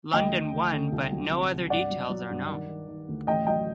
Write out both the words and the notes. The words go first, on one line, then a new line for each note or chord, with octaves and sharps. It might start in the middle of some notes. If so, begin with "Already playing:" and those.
London won but no other details are known.
D2 D#5 G5
D2
D2
D3
C2
F#3
C3
C3
G2 D5 F#5
F#3
F#3
G2
D#3
D#3
D#3
D2
A1 D#5 G5
F#3 D#5 G5